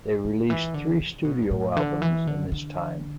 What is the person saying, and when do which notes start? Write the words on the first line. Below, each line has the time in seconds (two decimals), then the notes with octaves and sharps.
They released three studio albums in this time.
0.24 D3
0.50 E3
0.74 D3
1.00 C#3
1.25 B2
1.42 G2
1.51 A2
1.76 D3
2.02 E3
2.27 D3
2.52 D3